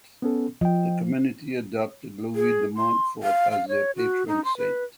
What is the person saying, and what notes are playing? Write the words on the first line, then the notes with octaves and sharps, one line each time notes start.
The community adopted Louis de Montfort as their patron saint.
B3 C#4 A4
F3 D#5 G5
G#4
C6
F5
F5
C#5
F#4
D#4
C6
B4